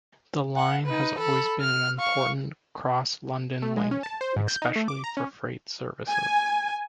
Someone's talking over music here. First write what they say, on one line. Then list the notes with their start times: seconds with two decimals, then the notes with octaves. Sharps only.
The line has always been an important cross-London link especially for freight services.
0.56 F#5
0.86 D#4 B4
1.19 A4 B5
1.61 F6
1.99 F5 C#6
3.62 A3
3.77 G#3
3.91 C#4
4.03 A5
4.21 C5
4.36 G#2
4.48 G6
4.62 D#4
4.76 A3
4.88 D6
5.04 A#5
5.17 C#4
6.08 G#5